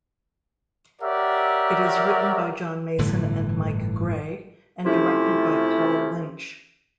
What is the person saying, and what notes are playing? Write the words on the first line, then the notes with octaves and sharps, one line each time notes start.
It is written by John Mason and Mike Gray, and directed by Paul Lynch.
G4 A#4 C#5 D5 E5 F#5
G1 A2 D3 E3
C3 A3 C#4 E4 F4 G4